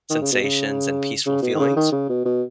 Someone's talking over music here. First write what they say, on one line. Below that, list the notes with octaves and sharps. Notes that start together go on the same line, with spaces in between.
sensations and peaceful feelings.
D#3
C#3
B2
C#3
C#3
B2
D#3
C#3
D#3
C#3
B2
B2